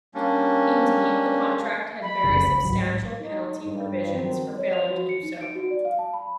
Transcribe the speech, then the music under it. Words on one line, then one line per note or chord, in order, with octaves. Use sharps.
Indeed the contract had very substantial penalty provisions for failing to do so.
G3 A#3 C#4 D4
B5
F1 F#2 C#3
C#2
A1 G#2 F#3
D#4
G2
D#3 F#3 C4
C#5
F7
F#4
C#7
D#4
D7
F#4
D5
F5
A5
B5